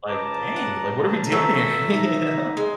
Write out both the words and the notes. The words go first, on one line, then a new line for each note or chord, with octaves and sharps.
like, "Dang, like, what are we doing here?" you know?
C#2 A5 A#5 D6
F#5
F#3 A4 E5
D#4 E5
G#3